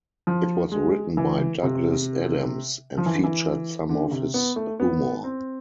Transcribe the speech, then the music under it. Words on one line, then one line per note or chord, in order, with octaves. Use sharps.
It was written by Douglas Adams, and featured some of his humour.
F3
G#3
E3
C3
F3
E3
D3
E3
D3
D3
C3
B3
A3
B3
C4